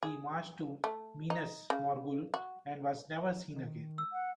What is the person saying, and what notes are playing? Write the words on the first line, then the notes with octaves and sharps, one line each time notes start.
He marched to Minas Morgul and was never seen again.
G#4
A3
D#4
C#3
F#4
D#3
E6
F#5